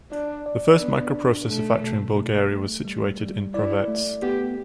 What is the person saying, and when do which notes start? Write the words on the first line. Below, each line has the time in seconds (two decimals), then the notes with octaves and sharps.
The first microprocessor factory in Bulgaria was situated in Pravets.
0.11 D4 D5
0.46 D5
0.80 B3 D4
1.14 D4
1.48 B2 A3
1.83 B2
2.16 A3
2.50 A3
2.85 G3
3.20 G3
3.54 E4 D5
3.88 A3
4.22 B3 G4